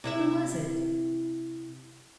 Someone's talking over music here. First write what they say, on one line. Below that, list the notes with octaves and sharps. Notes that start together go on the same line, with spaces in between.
"Who was it?"
C3 E4 E5